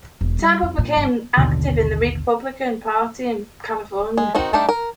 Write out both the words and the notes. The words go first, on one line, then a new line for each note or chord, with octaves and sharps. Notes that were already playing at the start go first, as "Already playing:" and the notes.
Temple became active in the Republican Party in California.
E1
G3
F2
A#2
G1
A1 D#2 B2 D3
G#3
D#3 C4 D#4 F#4
G3 A3 D4 D#4 G4
A#4